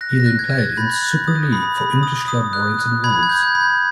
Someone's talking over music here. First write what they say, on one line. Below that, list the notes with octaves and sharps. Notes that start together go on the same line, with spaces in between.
He then played in Super League for English club Warrington Wolves.
F#6 A#6
A#6
F#6
G#6
F#6
A6
B5 G6
F#6
D#6
B5
B5
D#6
D#6
F#6
F#6
B5 G#6
G#6
G6
G6
B5
G#6